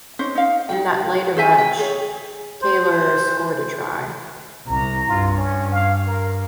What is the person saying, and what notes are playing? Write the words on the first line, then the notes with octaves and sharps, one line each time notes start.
In that latter match Taylor scored a try.
C#4 D#4 C5
D#4 F5
D#4 G5
G#4 C5 E5 G#5
G5
G#4 C#5
C5
C2 A#5
G2 F4
C#4
F5
A#4